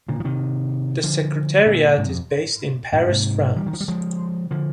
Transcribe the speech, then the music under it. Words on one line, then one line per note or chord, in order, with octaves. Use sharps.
The Secretariat is based in Paris, France.
A#2 D3
F3
C3 D#3
D3 F3
A#2 D3
G#2 C3
F2
G2 A#2
G#2 C3
D#3 G3
D#3
F3
G3
F3 G#3
D3 F3